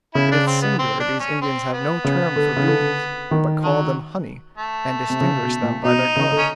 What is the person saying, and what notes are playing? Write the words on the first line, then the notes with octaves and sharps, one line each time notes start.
It is singular these Indians have no term for bees, but call them honey, and distinguish them by their color.
C#3 E4
D4
C4
B3
C4
D4
C#4
C4
B3
C#3
D3
C#3
D3
D#3
F#3
A3
C3
C#3
B2
A#2
B2 D#4
C#3
D3
C#4